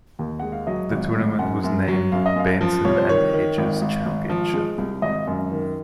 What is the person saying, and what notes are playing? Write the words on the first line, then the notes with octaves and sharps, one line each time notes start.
The tournament was named Benson and Hedges Championship.
D#2
G#3 F#5
F5
F#3 D#5
G#1
G#2
F#2 F#5
F#2
F#3
F#2 F5
D#5
F#2 F5
F3
C2 C#5
C5
D#3 C#5
D#3
G#1
G#1
G#1
F3
G#3
C2
G#1 D#5
F#2
D#3